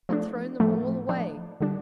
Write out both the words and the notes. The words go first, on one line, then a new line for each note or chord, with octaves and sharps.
'And thrown them all away.
F3 A3 D4
A2 F3 A3
F3 D4
D3 G3 D4